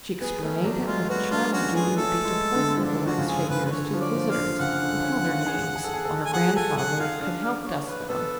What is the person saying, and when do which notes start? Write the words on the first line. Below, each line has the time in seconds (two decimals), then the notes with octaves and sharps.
She explained that the child's duty would be to point out the wax figures to the visitors and tell their names, while her grandfather could help dust them.
0.21 B3 G#4
0.43 A3 C#4
0.64 F#3 D4
0.87 G#3 F4
1.09 B3 F#4
1.31 D4 F4
1.52 C#4 F#4
1.74 B3 G#4
1.97 A3 A4
2.25 G#3
2.55 D3
2.76 F3
2.83 D3 D4
3.05 F3 F#4
3.18 C#3
3.27 D3 G#4
3.49 C#3 B4
3.65 B4
3.71 D3 C#5
3.93 F3
4.00 D5
4.15 F3
4.29 F5
4.36 D3
4.59 C#3 F#5
4.81 D3
5.03 C#4
5.25 F4
5.46 G#4
5.76 G#4
5.84 A4
5.94 G#4
6.05 A4
6.25 G#5
6.33 G#4 F#5
6.56 A4 G#5
6.77 F#5
6.99 F4 F5
7.22 D4 F5
7.44 D5
7.65 C#5
7.87 B4
8.09 B3 A4